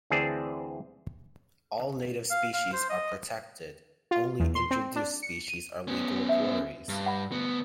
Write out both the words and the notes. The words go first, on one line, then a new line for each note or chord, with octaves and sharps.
All native species are protected, only introduced species are legal quarries.
D2 E3 C4 G#4 D5 A5
F5
F5
C5
D#5
F4
E2
C6
C4
D4
C#7
D#7
B3 C#4
E5
G2
F#5 B5
D2 B3